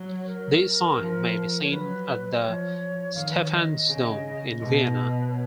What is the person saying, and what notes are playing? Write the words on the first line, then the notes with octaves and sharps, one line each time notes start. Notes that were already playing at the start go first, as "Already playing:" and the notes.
This sign may be seen at the Stephansdom in Vienna.
Already playing: F#3
C#5
A#4
F3
C#5
F#3 B4
D#5
F3 C#5
D#3 F5
B4
C#5
D#5
C#3
B2
B4
C#5